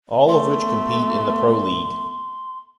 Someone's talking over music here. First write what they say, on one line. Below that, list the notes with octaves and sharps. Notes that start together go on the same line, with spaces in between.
All of which compete in the Pro League.
A3 B3 C6